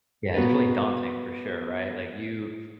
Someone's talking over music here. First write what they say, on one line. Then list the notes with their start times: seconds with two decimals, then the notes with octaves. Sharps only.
Yeah, definitely daunting for sure, right? Like you
0.34 B3 F#4 A#4 B4